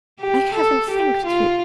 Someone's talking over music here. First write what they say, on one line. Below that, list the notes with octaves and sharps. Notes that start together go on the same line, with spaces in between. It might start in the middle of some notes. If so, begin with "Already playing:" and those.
"I haven't thanked you."
G4
A4
G4
F4